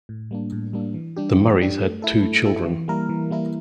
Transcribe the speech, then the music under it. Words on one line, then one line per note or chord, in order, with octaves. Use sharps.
The Murrays had two children.
A2
G3 A#3 D4
A2
G3 A#3 D4
E3
G3 D4 G4
E3
G3 D4 G4
A3
E4 A4
A3
E4 A4
E3
G3 A#3 E4 A#4
E3
G3 A#3 E4 A#4